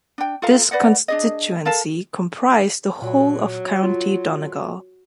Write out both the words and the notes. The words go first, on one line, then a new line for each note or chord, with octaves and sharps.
This constituency comprised the whole of County Donegal.
D4 G5
F4 A4 F5 A#5
B4 D5 D#5 F#5
D4 G#4 D#5
A4 A#4 F5 A5
A#2 F#3
F4